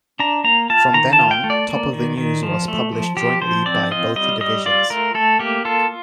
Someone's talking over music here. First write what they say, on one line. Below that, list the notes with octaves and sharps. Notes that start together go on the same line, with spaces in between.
From then on "Top of the News" was published jointly by both divisions.
D4 A#5
A#3 A#5
F4 A5
D#3 A#5
A5
F4
G5
A3
D5
A#3
D#3
D#3
F3
A3
F3
F3 G4
F3 C5
C4 D5
F4 D#5
G3 D#5
G3 D#5
F4 D5
A3 A#4
A3 A4
A#3 G4
F4 A4